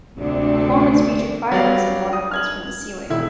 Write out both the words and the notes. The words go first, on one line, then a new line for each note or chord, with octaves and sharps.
The performance featured fireworks and waterfalls from the ceiling.
D2 C3 D4
F#3 G3 D5 F5
D#6
F6 G#6 F#7
E1 E4